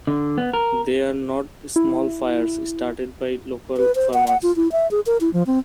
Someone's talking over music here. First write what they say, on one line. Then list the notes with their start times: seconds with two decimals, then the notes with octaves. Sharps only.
They are not small fires started by local farmers.
0.07 D3
0.38 B3
0.54 A#4
1.76 E4
3.77 B4
3.95 C5
4.14 F#5
4.28 F#5
4.43 F4
4.56 E4
4.72 E5
4.91 G#4
5.06 A#4
5.21 E4
5.33 F3
5.47 C4